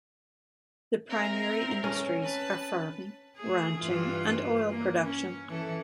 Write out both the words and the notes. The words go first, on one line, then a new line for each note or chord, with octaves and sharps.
The primary industries are farming, ranching and oil production.
C4 A#4 E5
C#4
B4 A5
A3 G#4
G2 E3 F4
A#3
C#4
E3 A4